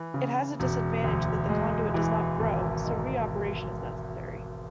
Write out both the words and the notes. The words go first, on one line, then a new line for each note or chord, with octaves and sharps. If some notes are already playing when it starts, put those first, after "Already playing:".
It has a disadvantage that the conduit does not grow, so re-operation is necessary.
Already playing: E3
C#3
E1
D2
G#3
E3
G#1
G#2